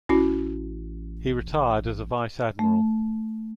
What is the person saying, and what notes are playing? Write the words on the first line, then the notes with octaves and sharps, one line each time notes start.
He retired as a Vice-Admiral.
A1 C#4 E4 F#4
A3